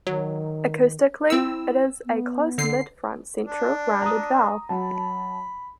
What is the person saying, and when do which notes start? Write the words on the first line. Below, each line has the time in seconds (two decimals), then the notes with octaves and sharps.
Acoustically, it is a close-mid front-central rounded vowel.
0.07 D#3 F#3
1.30 C4 E4 E6
2.06 B3
2.58 D3 C7
3.45 D4
4.02 A#5 D#6
4.69 F#3 A5 B5